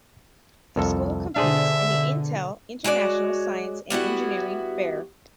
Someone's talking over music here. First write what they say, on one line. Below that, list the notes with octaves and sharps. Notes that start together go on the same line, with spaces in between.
The school competes in the Intel International Science and Engineering Fair.
C2 F2 A4
B2 D3 D4 G#4 C5 E5
G#3 F#4 C#5 D5
G3 B3 E4 F#4